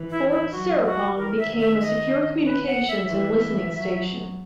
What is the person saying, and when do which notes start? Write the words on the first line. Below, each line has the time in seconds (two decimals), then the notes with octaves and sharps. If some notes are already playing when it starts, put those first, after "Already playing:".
Fort Serapong became a secure communications and listening station.
Already playing: E3
0.10 E4
0.30 E4
0.52 F#3 F#4
0.84 F#4
1.17 E3 A#4
1.38 E5
1.49 D#3
1.60 E5
1.81 D#5
2.45 B4
2.67 F#5
2.88 E5
3.09 E3 E5
3.74 F#3